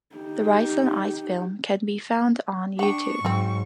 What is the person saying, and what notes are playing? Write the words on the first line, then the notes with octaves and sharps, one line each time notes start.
The Rice on Ice film can be found on YouTube.
D#4 G4
D4 F#5 G5 C#6
G#2 F#3 C4 F#4